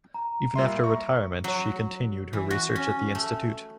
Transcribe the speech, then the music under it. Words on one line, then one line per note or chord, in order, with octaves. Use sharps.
Even after retirement she continued her research at the Institute.
A#5
A#2 G3 E5 C6
A#5 C#6
F#3
E3
F#4
C#4
A3